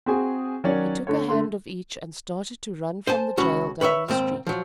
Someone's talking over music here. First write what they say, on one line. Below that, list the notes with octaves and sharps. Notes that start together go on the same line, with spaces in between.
He took a hand of each and started to run from the jail down the street.
C4 F#4 G#4 G#5
D#3 F#3 C#4 C#5 D5
D3 A3 C#5
D3 A3 C6
C5 G#5 A5
C#2 C#4 F#4 B5
B4 C#5 D#5 E5
D#2 G#2 C4
F3 F#3